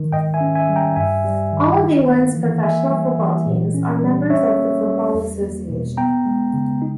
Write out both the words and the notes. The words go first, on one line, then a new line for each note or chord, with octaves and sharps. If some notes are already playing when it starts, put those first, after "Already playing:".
All of England's professional football teams are members of the Football Association.
Already playing: D#3
G#2 D#5 G5
E5 G#5
C#4
E5 G#5
G3
G5 A#5
G2 E5 G#5
G3
D#3
D#4
A#3
E3
A#3 E5 G#5
G3
E3
A#2
C#4
G3
C#4 C#5 E5
A#3
G3
E2
A#3
B2
B3 G5 A#5
G#3
C#3
D#4